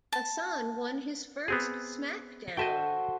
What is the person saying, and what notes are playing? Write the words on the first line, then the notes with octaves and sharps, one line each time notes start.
Hassan won his first SmackDown!
A5
B3 C4 G#4
F#4 A4 C5 D#5 E5 G5